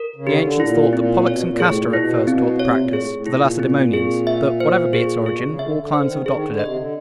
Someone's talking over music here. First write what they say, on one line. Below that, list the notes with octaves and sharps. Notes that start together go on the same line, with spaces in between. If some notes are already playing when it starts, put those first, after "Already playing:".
The ancients thought that Pollux and Castor at first taught the practice to the Lacedaemonians; but, whatever be its origin, all climes have adopted it.
Already playing: A#4
C#3
D#3 G4
D3
A#2 E4
A#2 C4
B2 C#5
A#2
A2 G#4
B2
A#2
B2 E4
A#2
B2 C4
C3 C#5
A#2
A2 G#4
A2
A#2 E4
C4
G#4
E5
C5
G#4
B2 G#4
C#3
D3 E5
C#3
D3
D3 C5
D#3
D3
G#4
D#3
D3
C3 D#5
D#3
D3